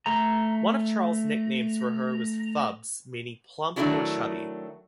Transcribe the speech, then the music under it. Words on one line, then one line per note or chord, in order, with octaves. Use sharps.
One of Charles nicknames for her was 'Fubbs', meaning plump or chubby.
A3 A#5
D#3 F#3 A3 D4 E4 F#4